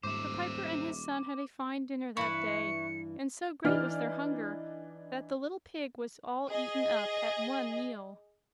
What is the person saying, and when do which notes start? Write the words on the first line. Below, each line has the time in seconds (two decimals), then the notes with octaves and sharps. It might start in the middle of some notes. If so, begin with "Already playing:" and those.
The piper and his son had a fine dinner that day, and so great was their hunger that the little pig was all eaten up at one meal!
0.03 D#1 G#2 C5 E5 D6
2.17 G2 E3 E4 B4 C#6 C#7
3.64 E3 D4 D#4 D5 F6
6.49 G#4 D#5